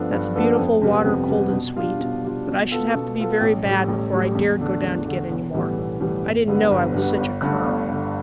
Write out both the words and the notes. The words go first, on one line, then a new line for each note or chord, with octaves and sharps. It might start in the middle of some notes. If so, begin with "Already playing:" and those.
"That's beautiful water, cold and sweet; but I should have to be very bad before I dared go down to get any more. I didn't know I was such a cur."
Already playing: G2 F3 B3 D4 A4
G2
F3 B3 D4 A4
F2
C3 G3 B3
F2
C3 G3 B3
B2
G3 D4 F4
B2
G3 D4 F4
B2
B3 F4 A4
B2
B3 F4 A4
A1
A2 G3
A1
A2 G3
E2
D3 A3 D4
E2
D3 A3 D4
B1
A2 E3 G3 B3
B1
A2 E3 G3 B3
G1
G2 D3 G3 B3
G1
G2 D3 G3 B3
G1
G2 D3 A3
G1
G2 D3 A3